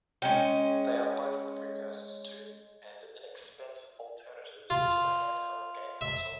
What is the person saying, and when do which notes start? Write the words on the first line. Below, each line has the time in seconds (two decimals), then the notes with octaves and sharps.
They are both the precursors to and inexpensive alternatives to the handheld game console.
0.22 G#3 C#4 G5
4.70 F4
6.01 E5